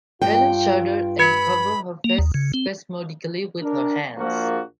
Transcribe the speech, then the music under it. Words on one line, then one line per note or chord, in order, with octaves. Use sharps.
Helene shuddered and covered her face spasmodically with her hands.
G2 F4 G5
B4 B5 G#6 C#7
A#3
D#2
C#3
C4
D4 A#4
A#1 F3 A#3 F#4